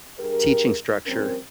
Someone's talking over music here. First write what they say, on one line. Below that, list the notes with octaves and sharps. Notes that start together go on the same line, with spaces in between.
teaching structure.
G2 G4 G#4 A#4
F3 G3 C4 C#4 A#4